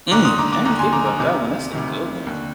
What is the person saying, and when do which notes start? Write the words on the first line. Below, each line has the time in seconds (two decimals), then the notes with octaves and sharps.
Mm, I didn't think about that one. That's a good one.
0.12 D#2 D3 A#5 D6
0.25 C6 D#6
0.38 A#5 D6
0.52 A#5 D6
0.65 D#2 D3 A#5 D6
0.79 G#5 C6
0.92 A#5 D6
1.06 A#5 D6
1.19 D2 C3 D#3 A#5 D6
1.73 D2 C3 D#3
2.27 D#2 D3